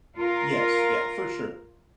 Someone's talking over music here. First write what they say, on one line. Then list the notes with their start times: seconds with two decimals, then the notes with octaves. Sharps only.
Yes, yeah, for sure.
0.16 F4 A#4